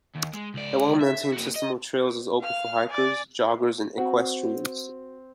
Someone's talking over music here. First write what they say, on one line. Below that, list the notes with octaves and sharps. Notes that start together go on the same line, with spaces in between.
A well-maintained system of trails is open for hikers, joggers, and equestrians.
D#2
G#3
C#2 D5
E5
A#3 F#4
D#5
F5 F6
D5 G#5
C4 F#4